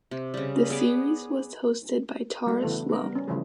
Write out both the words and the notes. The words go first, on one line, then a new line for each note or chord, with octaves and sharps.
The series was hosted by Tara Slone.
C3
C#3 G3
B3 G#4 D6
G3 A3 F#4
C#3 E3 A3 B3 A4
B3 A#4
G3
C#4
C#3 E3 F3 G3 A3 G#4